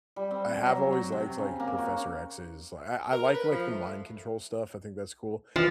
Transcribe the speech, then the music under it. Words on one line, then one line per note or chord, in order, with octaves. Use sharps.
I have always liked like Professor X's, I I like, like the mind control stuff, I think that's cool.
G3
C4
F#3
F#3
C3
C#3
A#3
F#4
A#4
B4
F3
A3
E3 F3